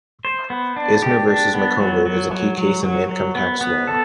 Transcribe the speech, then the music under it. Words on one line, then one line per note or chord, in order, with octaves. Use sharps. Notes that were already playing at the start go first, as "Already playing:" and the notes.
"Eisner versus Macomber" is a key case in income tax law.
C5
B3
D4
G4
D4
B3
F#3
F#3
F#3
F#3
F#3
F#3
B3
B3
A4